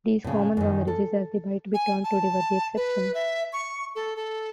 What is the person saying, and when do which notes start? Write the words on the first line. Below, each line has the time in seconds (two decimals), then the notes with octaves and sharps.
These "common-law marriages" as they might be termed today were the exception.
0.24 A2 C#3
0.57 F#2 D#3
0.87 A4
1.74 G#5
2.04 A5
2.76 B4
3.14 E5
3.53 C#6
3.95 A4
4.16 A4